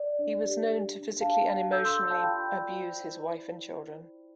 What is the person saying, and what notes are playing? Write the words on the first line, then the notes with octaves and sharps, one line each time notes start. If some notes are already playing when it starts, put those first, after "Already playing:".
He was known to physically and emotionally abuse his wife and children.
Already playing: D5
D4
G4
G4
D4
D4 F5 A5
G4
A4 E6 G6
C6 E6
D5 E6 G6
F5 A5
F4 G5 B5
D5
C5
E4